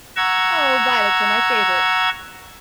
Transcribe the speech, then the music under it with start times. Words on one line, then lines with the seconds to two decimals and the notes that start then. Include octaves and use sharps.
Oh violets are my favourite!
0.17 F#5 A#5 C#6 E6 G#6